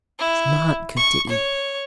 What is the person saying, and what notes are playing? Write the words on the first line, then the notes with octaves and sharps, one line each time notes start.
"It's not good to eat."
E4
C#6
C#5